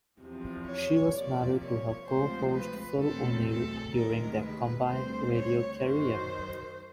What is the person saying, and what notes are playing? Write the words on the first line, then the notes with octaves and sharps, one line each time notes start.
She was married to her co host Phil O'Neil during their combined radio career.
E2 C3 F3
C#5
C3 F3 A#3 D5
C#5
D2 C3 F3 G#3 C4 C5
B4
E2 B2 F#3 A3 C4 A4
A4
D2 C3 D#3 G#3 A#4
B4
D2 D3 G3 C4 C5
C#5
F#2 D#3 F#3 C5